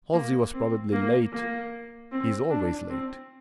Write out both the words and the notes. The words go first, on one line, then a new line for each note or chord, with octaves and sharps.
Halsey was probably late--he is always late.
A#3
C4
A#3
A#3
C4
D4
C4